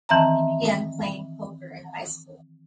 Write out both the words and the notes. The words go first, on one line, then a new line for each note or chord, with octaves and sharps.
He began playing poker in high school.
D#3 E3 C4 E5 A5 A#5